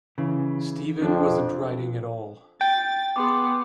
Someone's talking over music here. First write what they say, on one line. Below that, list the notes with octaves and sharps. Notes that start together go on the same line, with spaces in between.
Steven wasn't writing at all.
C#3 E3
F2 D4
G5 A6
B3 G#4 C6 D6